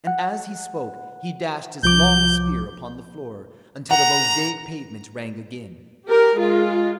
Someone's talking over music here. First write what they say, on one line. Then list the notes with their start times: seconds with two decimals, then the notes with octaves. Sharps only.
And as he spoke he dashed his long spear upon the floor, until the mosaic pavement rang again.
0.07 F#5
1.83 C2 F3 D6 G6
3.91 F#5 A#5
6.07 G4 A#4
6.38 G#3 F4